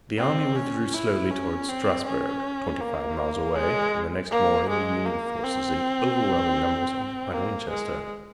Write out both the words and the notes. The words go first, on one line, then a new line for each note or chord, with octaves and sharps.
The army withdrew slowly toward Strasburg, twenty-five miles away, and the next morning the Union forces in overwhelming numbers occupied Winchester.
C4
C#4
E4
C#4
C4
C#4
A#3
G#3
A#3
G#3
A#3
C4
A#3
G#3